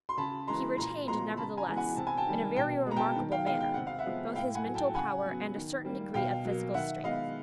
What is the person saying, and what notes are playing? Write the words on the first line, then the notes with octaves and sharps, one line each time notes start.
He retained, nevertheless, in a very remarkable manner, both his mental power and a certain degree of physical strength.
C6
C#3 A5 B5
E3 G#3 A#5 C6
A#2 A#5 C6
F3 G#3 B3 A#5 C6
C#3 A5 B5
G#5 A#5
E3 G#3 B3
F#5 G#5
C3 A5
G#5
G5 A5
D#3 G3 A#3
B2 G5 A5
G#3 B3 A#5
G5 A5
D#3
F5 G5
G#3 B3 F5 G5
G5
C3 F#5
F5
E5 F#5
F3 G#3 B3
A2 F5 G5
F#5 G#5
F#3 A3
G5 A5
C#3 F#5 G#5
F#3 B3
D#3
G3 A#3
B2 F5 G5
F#3 A#3
D#3 E5 F#5
G#3 B3 D#5 F5